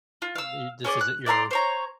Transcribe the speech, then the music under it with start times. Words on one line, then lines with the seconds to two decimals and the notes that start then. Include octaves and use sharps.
Th this isn't your,
0.22 F4
0.36 F5 E6
0.84 C#4 G#4 C5 D5
1.01 F#6
1.26 D5 E5 A#5 C6
1.51 C5 C#5 A#5